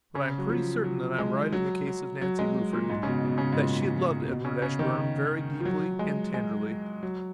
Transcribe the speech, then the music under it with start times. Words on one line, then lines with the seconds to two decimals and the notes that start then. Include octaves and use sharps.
But I am pretty certain that I am right in the case of Nancy Rufford--that she had loved Edward Ashburnham very deeply and tenderly.
0.15 C#3
0.38 F#3
0.50 F3
0.84 F#3
1.18 G#3
1.53 F#3
1.87 F#3
2.22 F#3
2.39 G#3
2.73 A#2
2.90 G#2
3.03 C#3
3.08 B2
3.25 B2
3.38 C#3
3.42 B2
3.52 G#2
3.59 A#2
4.28 B2
4.45 C#3
4.62 C#3
4.79 D#3
5.60 F3
5.65 F#3
5.99 G#3
6.34 G#3
7.03 F#3